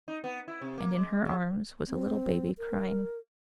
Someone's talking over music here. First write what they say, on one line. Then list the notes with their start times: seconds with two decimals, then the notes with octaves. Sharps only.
And in her arms was a little baby crying.
0.08 D#4
0.24 B3
0.48 E4
0.61 C3
0.78 A#3
0.97 G#3
1.25 F#3
1.88 C4
2.58 A#4